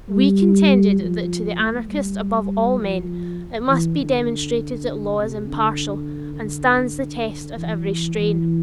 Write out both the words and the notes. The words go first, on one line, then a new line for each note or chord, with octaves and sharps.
We contended that to the anarchist above all men it must be demonstrated that law is impartial and stands the test of every strain.
G3
F3
A3
G3
F3
E3
D3
C3
D3
D3
E3
E3